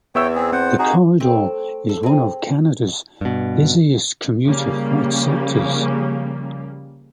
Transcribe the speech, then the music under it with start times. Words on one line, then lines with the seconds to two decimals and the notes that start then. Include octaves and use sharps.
The corridor is one of Canada's busiest commuter flight sectors.
0.15 E2 B3 C#5 E5 G5 E6
0.35 C4 G#4
0.52 C4 C5 F#5
0.79 D#4 F#4 G#4
1.20 A3 C4
1.89 A4
2.03 C4 G#4
3.21 G2 B2
4.45 C#3 F3 G3 A#3